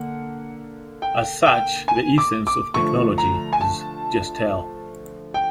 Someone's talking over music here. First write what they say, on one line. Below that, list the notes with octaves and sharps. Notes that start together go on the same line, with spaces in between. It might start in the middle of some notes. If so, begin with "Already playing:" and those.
As such, the essence of technology is "Gestell".
Already playing: D3 A#3 F#5
G5
G5
G#5
D6
D6
D3 F3 A3 C#6
A#5
G#5
A5
G5